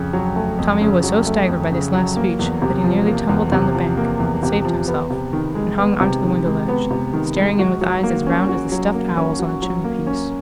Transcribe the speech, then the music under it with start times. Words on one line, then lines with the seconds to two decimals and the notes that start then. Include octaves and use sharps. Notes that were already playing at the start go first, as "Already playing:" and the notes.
Tommy was so staggered by this last speech that he nearly tumbled down the bank, but saved himself, and hung onto the window ledge, staring in with eyes as round as the stuffed owl's on the chimney-piece.
Already playing: F2 C#3
0.13 F#3
0.36 A3
0.59 F2
0.81 C#3
1.03 F#3
1.27 A3
1.48 F2
1.72 C#3
1.94 F#3
2.17 A#3
2.39 E2
2.62 C3
2.84 F3
3.07 A#3
3.29 E2
3.52 C3
3.75 F3
3.97 A#3
4.20 E2
4.43 C3
4.65 F3
4.88 B3
5.10 C3
5.33 D#3
5.55 G#3
5.78 B3
6.01 C3
6.23 D#3
6.46 G#3
6.68 B3
6.91 C3
7.13 D#3
7.36 G#3
7.59 F#4
7.81 F#3
8.03 A#3
8.27 C#4
8.49 F#4
8.72 F#3
8.94 A#3
9.17 C#4
9.39 F#4
9.62 F#3
9.84 A#3
10.07 C#4